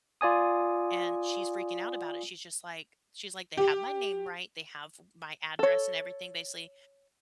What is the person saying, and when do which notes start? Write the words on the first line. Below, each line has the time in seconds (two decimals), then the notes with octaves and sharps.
and she's freaking out about it. She's just like she's like, "They have my name right. They have my address and everything basically,
0.21 F4 D5 G#5 D#6
3.57 G4
5.59 A4 C#5